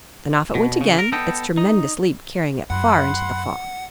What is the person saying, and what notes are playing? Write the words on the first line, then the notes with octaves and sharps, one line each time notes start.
Then off it went again, its tremendous leap carrying it far into the fog.
B2
C#3
A#4
B3 A4 D#5 G5
D#4
F#2 F#5 B5 C6 F#6